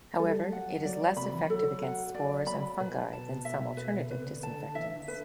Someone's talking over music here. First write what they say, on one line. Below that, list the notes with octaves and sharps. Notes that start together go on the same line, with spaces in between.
However, it is less effective against spores and fungi than some alternative disinfectants.
G3 A4
F#3
F#5
F#3 D5
F#3
C3 B5
E3
F#3 A4
F#5
D5
B5
B2 B4
A5
E5
B4
C3 B4
D3
D3 A5
D3
E3 E5
D3
B4